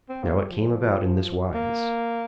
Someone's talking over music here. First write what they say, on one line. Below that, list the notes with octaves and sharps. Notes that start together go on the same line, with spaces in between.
Now it came about in this wise.
C4
A#3
G3
F3
A#3